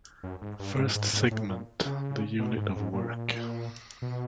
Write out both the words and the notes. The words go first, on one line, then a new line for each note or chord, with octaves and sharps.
First segment the unit of work.
F#2
G#2
G2
G#2
G#2
G#2
A2
A#2
C#3
B2
G#2
G#2
A#2
B2